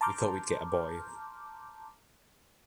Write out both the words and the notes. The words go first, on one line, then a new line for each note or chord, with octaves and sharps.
We thought we’d get a boy.
A5 A#5 C6 D6 F6 G6